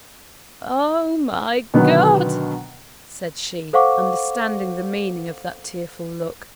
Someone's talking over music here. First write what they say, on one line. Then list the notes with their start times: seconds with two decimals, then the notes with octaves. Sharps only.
'Oh, my God!' said she, understanding the meaning of that tearful look.
1.74 B2 D3 D#3 F#3 B3
3.73 A4 C5 F5 F#5 C#6 D6